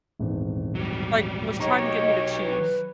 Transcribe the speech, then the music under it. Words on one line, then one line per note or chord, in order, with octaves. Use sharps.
like was trying to get me to choose.
D#1 G#1 E2
F#3 G3
F#3 D#4 G4 C#5 D#5 A#5 C#6 A#6
B4